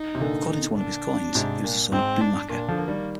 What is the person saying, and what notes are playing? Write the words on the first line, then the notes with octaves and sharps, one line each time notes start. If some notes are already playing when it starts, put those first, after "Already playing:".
According to one of his coins, he was the son of Bhumaka.
Already playing: D#4
C3
A#2 D3
D4
G#2 C3
A#2
G#2 C4
D4
A#2 D4
D3 F3
A#3
D#3 G3